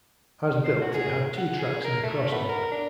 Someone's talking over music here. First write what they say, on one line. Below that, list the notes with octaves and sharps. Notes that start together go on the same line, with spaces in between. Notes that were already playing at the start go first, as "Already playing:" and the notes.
As built it had two tracks and a cross-over.
C5
F#4
G#4
F#5
G#4
A#4
A3
B3
A#4
D4